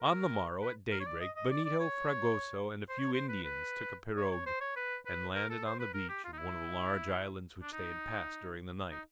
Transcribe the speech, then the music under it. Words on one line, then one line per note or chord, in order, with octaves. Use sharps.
On the morrow, at daybreak, Benito, Fragoso, and a few Indians took a pirogue and landed on the beach of one of the large islands which they had passed during the night.
A#4
B4
A#4
C#5
D5
D#5
D#5
D5
D5
C#5
C5
C#5
C5
B4
B4
C#5
C#5
C5
C#5
B4
B4
A#4
A4
C5
B4
A#4
G4
F4
D#4
E4
D4
D#4
D#4